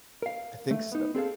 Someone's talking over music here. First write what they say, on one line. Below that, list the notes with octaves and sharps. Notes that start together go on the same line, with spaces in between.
I think so
A#4 F5
A3
B3 D#4
C4 G#4 A4 F5